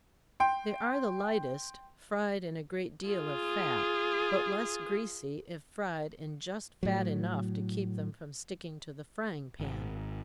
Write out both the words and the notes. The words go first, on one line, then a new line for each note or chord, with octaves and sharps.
They are the lightest fried in a great deal of fat, but less greasy if fried in just fat enough to keep them from sticking to the frying pan.
G5 C6
F4 G#4
A2 F#3
G#1